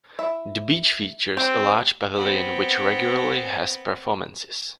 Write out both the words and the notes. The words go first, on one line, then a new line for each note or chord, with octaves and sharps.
The beach features a large pavilion which regularly has performances.
E4 E5
C4 G4
B3 C4